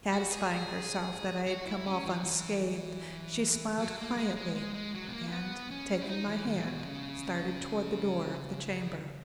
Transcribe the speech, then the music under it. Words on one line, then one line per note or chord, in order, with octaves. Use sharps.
Satisfying herself that I had come off unscathed she smiled quietly, and, taking my hand, started toward the door of the chamber.
F#4
G#4
G#4
F#4
E4
C#4
E3
E3
F#3
A#3
G#3
G#3
G#3
G#3
F#3
B3
A#3
C#4
B3
C#4
E4
D#4
E3
D#3
A#2
B2
C#3